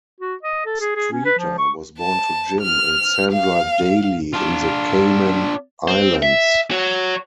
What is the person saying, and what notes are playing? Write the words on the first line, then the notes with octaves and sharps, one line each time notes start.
Streeter was born to Jim and Sandra Dailey in the Cayman Islands.
F#4
D#5
A4
G#4
G#4
C#4
B4
F3
C#6
A5
F6
F5
D4 F4
C4 C5
E5
F#4 C#5